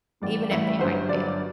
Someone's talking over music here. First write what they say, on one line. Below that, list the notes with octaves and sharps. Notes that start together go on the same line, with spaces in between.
even if they might fail.
A1 A2 G3 D5
A1 A2 G3 E5
G1 G2 F#3 C5
G1 G2 F#3 D5